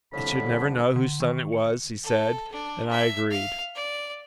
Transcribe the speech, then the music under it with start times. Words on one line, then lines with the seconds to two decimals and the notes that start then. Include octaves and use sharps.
It should never know whose son it was, he said, and I agreed.
0.13 C2 F2 A2 D3 B5
0.96 D3
1.20 D#3
1.52 C#7
2.04 A4
2.52 D4
2.90 E5
3.31 F5
3.76 D5